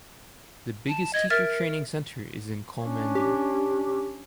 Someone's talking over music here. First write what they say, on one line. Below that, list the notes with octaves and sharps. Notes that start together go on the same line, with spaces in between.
The biggest Teacher Training Center is in Komandoo.
A5
D#5 G#6
A#4 E5 F6 A6
C#4 D4
G4